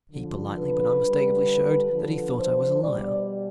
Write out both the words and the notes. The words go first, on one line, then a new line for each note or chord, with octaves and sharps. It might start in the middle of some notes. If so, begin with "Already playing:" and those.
He politely but unmistakably showed that he thought I was a liar.
D3 F3
B4
D3 G3
D3 F3
C5
B2 G3 D5